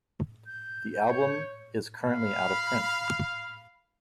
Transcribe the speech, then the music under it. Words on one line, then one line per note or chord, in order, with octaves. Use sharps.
The album is currently out of print.
G6
C#5
F5 B5